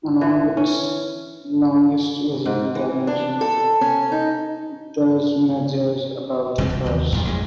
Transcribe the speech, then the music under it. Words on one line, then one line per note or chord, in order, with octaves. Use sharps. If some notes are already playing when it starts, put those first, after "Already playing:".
Along its longest visible dimension, it thus measures about across.
E3
C#4
G#2
E3
D4
A4
C#4
D#4
F1 E3 G#3 C4
C2
D#2 C3
F2 G#2 F3
A1 F2 G3 G#3